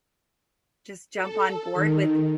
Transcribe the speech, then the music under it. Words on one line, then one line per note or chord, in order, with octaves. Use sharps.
just jump on board with
A4
D#3